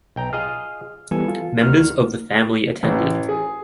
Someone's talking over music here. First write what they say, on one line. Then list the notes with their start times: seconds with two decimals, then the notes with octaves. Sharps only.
Members of the family attended.
0.16 B1 G5 A#5
0.33 F4 G#4 D#5 F6
1.11 E3 G3 B3 A4 G#5
1.28 F4
1.63 D2 D#3 F6
2.83 A1
3.29 G#4